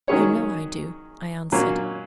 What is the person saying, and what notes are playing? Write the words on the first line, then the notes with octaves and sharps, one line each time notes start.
'You know I do,' I answered.
D#3 F#3 C#4 G#4 C#5
A#2 F#3 A#3 C#4